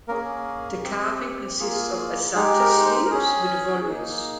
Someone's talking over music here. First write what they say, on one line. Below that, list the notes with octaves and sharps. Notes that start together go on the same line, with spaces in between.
The carving consists of acanthus leaves with volutes.
A#3 C#4 G#4 A#4
C4 G4
A#3 F4 G#4
G#3 D#4 G4 G#4
A#4
C5
A#4
C#4 G#4
A#3 D#4 G#4